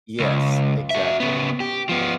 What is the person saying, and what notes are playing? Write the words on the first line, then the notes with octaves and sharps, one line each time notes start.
Yes, exactly.
C#2
F#4 E5
C#3 B3
G4
F3 B3